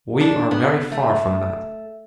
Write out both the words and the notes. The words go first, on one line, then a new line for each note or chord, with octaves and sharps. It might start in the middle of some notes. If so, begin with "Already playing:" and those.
We are very far from that.
D4
B3
A3